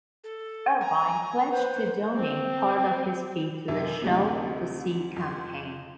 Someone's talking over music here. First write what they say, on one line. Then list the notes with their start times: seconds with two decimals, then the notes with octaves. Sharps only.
Irvine pledged to donate part of his fee to the Shell to Sea campaign.
0.24 A4
0.81 G#5 A#5
1.52 B4 C5
2.16 C4
3.68 F#2 C3 E3 E5
4.02 D2 C3 F#3 A3 D#4
5.16 F2 C6